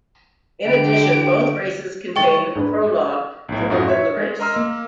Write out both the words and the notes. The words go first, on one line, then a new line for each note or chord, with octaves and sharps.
In addition, both races contained a prologue to open the race.
D3 G4 D7
D#3 G3 G#3 G5 C#6 A6
G#2 D4 B4
B1 A2
F#2 A2 A3 D#4 F4 F#4
C#5 E5 C#6
G#3
A#4 D#5 A#5 C6 E6 F6
A#3